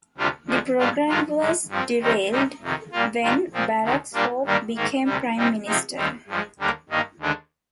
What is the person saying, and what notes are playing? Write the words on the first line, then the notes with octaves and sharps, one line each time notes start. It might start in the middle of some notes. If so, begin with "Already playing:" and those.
The program was derailed when Barak Sope became Prime Minister.
D2 C3 G3 D4 F4
D2 D3 F3 G#3
G#2 G3 D4 F4
G2 D#3 G#3 D4 F4
G2 D3 G#3
G2 F3 C4
D#2 D#3 G3 C4 D#4
D2 C3 G3 C4 D#4
F2 C3 D#3
A#2 G3 A#3 F4
G#2 D#3 G3 D4 F4
A#2 F3 C4
D2 C3 D#3
A#2 G3 A#3 D4 F4
G2 D#3 G3 A#3 D4
G#2 D#3 A#3
D2 C3 G3
A#2 G3 C4 D#4
C3 F3 G#3 C4 D#4
D#2 D#3 G3 C4 D#4
G2 F3 G#3
D#2 D3 G3 A#3 D4
G2 D#3 A#3 D#4
D#2 D3 G#3 D4